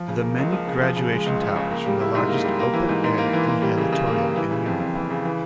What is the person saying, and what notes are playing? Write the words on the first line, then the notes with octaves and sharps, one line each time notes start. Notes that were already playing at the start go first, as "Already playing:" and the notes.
The many graduation towers form the largest open air inhalatorium in Europe.
Already playing: F3
C#3
A#3
C#2
F3
C#3
F3
C#3
G#3
C#2
F3
C#3
A#3
G3
E4
G#2
A#3
G3
A#3
E3
G#2
G#2
A#3
E3
A#3
G3
C#3
C#3
A#3
G3
E3
C#3
F2
F2
E3
C#3
E3